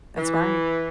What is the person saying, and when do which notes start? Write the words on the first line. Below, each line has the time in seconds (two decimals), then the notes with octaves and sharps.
That's right.
0.17 E3